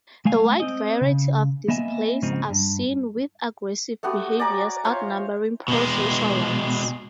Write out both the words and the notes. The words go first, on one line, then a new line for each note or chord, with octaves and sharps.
A wide variety of displays are seen, with aggressive behaviours outnumbering pro-social ones.
G#3 A3 F5 G#5
C4 D#5
C#3
A#3 B3 D#5 E5 G#5
G#2 C#3 F3 C4 D#4
G2
A3 B3 F#4 G4
D5 G#5 A#5 D6
F4 C5 C#5 E5
B2 G#3